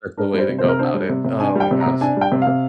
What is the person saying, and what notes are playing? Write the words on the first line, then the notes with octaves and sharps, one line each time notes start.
that's the way to go about it. Oh my gosh.
D4 A#4
G3 C5
C3
C5
C3 A#4
D4 C5
G3
C3
C3
D4 G#5
G3 G5
C3
A#5
C3
D4 G#5
G3 G5
C3
F5
C3